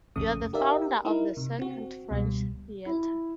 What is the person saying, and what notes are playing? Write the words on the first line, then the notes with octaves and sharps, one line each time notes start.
You are the founder of the second French Theatre.
A#1 F2 C#3 A3 D#6
D#4 G4 A#4 D5 E5 F5
D#4 E4 A#4
C3
C4 F#4
C#2 B2 G3
E4